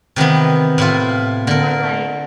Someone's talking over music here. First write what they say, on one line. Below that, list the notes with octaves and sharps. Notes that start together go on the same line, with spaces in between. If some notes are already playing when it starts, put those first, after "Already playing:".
more, like
C3 D#3 E3 B3
A2 E4 F4
D3 A#4